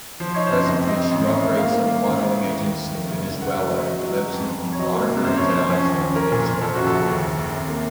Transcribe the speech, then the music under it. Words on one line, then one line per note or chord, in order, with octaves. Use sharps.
Presently, she operates a modeling agency in Venezuela and lives in Margarita Island, Venezuela.
F3 C5
D#4 C#5
F#2 C5
F2 D#5
C4
D#5
C4
A1
A2
A3
A#3 F5
D#3
A#3
A1
A1
A3
D#2
D#2
A3
D#3
F#1
F#1
A3 F#5
F#3
A3
F#3 D#5
F#3
F#3
F2
F2
F1
C#5
F#3 D#5
A#3
C3
F#2 C5
F3 C#5
C5
F3
C#4
D#2
C#4
C#4 A#4
A#2
A#2
F3 A4
F#2 F#4
A4
F#1
D#2
D#2
D#2
C2
A#3